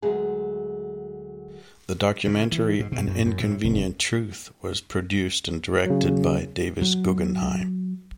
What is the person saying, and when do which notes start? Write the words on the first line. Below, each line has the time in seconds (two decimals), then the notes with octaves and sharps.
The documentary, "An Inconvenient Truth", was produced and directed by Davis Guggenheim.
0.02 D2 F#3 G#3 B3 G#4
2.27 C#3
2.52 E3
2.80 G#2
2.92 B2
3.08 F#2
3.25 F#2
3.40 A2
3.64 F1
5.86 C#3 F#3
6.82 F#3